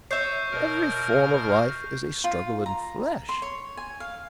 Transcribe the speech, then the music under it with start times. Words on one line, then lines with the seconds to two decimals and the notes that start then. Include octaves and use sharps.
Every form of life is a struggle in flesh.
0.11 C#5 E5 C#6 G6 C7
0.52 B2 A#4 F6
2.24 F4
2.66 A#5
3.29 C6
3.42 C#5
3.77 G#5
4.00 F5